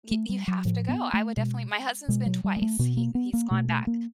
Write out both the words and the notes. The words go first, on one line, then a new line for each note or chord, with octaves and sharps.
Y you have to go, I would definitely my husband's been twice, he he's gone back.
A3
G3
F#3
A2 F3
B3
A3
B2 G#3
B2 G#3
F#3
G3
G#3
A3
B2 B3
A#3
B3
A#3
B2 A3
A3
A#3